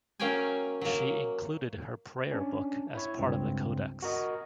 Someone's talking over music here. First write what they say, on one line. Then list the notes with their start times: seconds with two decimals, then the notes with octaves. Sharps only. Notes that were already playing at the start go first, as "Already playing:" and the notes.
She included her prayer book as part of the codex.
0.20 F#3 A#3 C#4 F5 G5 G#5
0.81 F#3 A#3
2.32 C#4 D4
2.95 E4 C#5
3.18 C#2 G2 C4
4.02 F#4 A#4 D#5